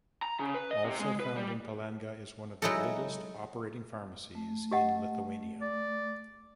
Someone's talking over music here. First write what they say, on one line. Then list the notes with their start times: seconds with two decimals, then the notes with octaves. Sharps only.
Also found in Palanga is one of the oldest operating pharmacies in Lithuania.
0.22 A#5
0.39 C#3
0.54 B4
0.71 D#5
0.85 C3
0.99 G#3
1.20 B4
1.37 G3
2.62 F#3 G#3 D#4 E4 F#4 A4
4.35 A3
4.71 G4 D#5 F#5
5.61 D5